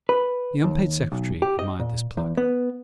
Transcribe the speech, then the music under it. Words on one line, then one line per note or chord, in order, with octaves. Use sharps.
The unpaid secretary admired this pluck.
B4
D#2
B1
G4
D#5
A#2
E2
B3